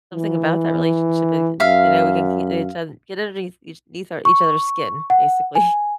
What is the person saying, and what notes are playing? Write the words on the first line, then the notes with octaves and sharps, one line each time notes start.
something about that relationship, like, you know, we can k each other get underneath each eth each other's skin, basically.
E3
F#2 E5 F5
C#6
F#5
G#5